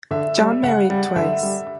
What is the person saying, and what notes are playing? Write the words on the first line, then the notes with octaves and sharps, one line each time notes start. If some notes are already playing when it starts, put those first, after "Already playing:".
John married twice.
D3 E5
G3
C#3 F#5
G3
D3 E5
G3